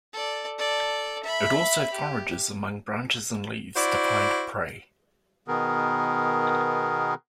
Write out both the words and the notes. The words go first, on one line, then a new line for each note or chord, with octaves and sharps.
It also forages among branches and leaves to find prey.
A4 D5
A4 D5
E5 B5
G4
E4 F#4 C5 D5
B2 D#3 B3 G#4 A#4